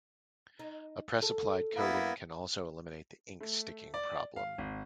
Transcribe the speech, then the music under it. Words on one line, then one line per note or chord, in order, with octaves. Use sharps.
A press-applied coating can also eliminate the "ink sticking" problem.
D#4
A4
A#3 B3 E4
A3
D5
F5
G#1